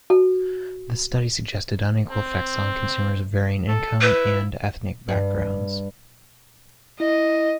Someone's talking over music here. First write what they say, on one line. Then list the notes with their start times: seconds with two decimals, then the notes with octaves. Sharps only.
The study suggested unequal effects on consumers of varying income and ethnic backgrounds.
0.10 F#4
2.11 C4
3.69 A4
4.01 E4 B4
5.09 G2
7.00 E4 D#5